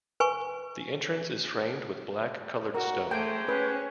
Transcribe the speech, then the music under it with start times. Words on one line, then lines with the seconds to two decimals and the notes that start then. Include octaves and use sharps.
The entrance is framed with black colored stone.
0.20 B4 G#5 C#6
2.75 F#4 A#4
3.11 G#3 A3 G4 C5 G5
3.49 C#4 B4